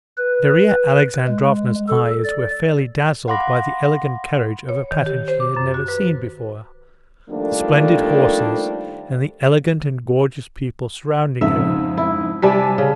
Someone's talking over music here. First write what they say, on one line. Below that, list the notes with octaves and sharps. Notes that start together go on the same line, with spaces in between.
Darya Alexandrovna's eyes were fairly dazzled by the elegant carriage of a pattern she had never seen before, the splendid horses, and the elegant and gorgeous people surrounding her.
B4
G#3
A4
D5
F5 F#5 B5 C6 D6 A#6
C#5
D#3
G4
C5
D6
F#2
F#4
B4
D#3 F3 G3 A3 A#3 D4
F2 G#2 C#3 E5
E4
C3 G3 D5 G#5 A5 B6
C#3